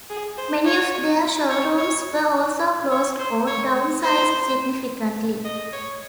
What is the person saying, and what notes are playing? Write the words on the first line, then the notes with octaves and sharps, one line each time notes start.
Many of their showrooms were also closed or downsized significantly.
G#4
C5
C#5
C#5
C#5
C#5
C5
C#5
C5
D#5
C#5